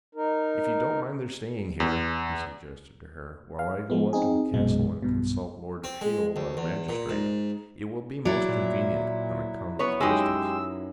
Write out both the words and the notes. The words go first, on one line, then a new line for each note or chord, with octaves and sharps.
"If you don't mind their staying here," he suggested to her, "while I go up to the castle and consult Lord Ashiel about a magistrate, it will be most convenient, on account of the distance."
D#4 A#4
E2
F5
F3 G#3 B3
C4 D#4 G#4
A#1 F#2 B2 G#3
B1 G2 B2
C4
G#3
D2
E2
A#2
G#2
F#3 E4 D5
A#2
B3 B4 C#5
F#2 G#3 D#4 G4 D#6 E6